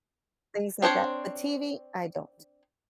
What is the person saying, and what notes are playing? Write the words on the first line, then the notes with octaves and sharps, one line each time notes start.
things like that, a TV I don't.
C4 D4 C5 C#5